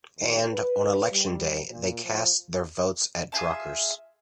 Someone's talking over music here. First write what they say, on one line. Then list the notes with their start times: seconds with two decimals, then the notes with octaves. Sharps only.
And, on election day, they cast their votes at Drucker's.
0.19 D#2
0.51 B4
1.11 G3
1.70 A#2
2.03 F3
3.32 F4 G#4 E5 A5